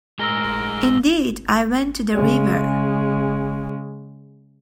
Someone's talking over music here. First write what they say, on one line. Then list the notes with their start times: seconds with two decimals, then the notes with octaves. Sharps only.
Indeed, I went to the river.
0.19 A2 G#3 G#4 A#4 E6 A#6 G7
2.14 C#3 G#3